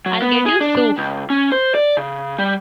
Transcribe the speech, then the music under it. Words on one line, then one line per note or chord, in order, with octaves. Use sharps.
I'll get you 'Souf'!
F#3
B3
G#4
D4
C#2
C#4
C5
D5
C#3
G3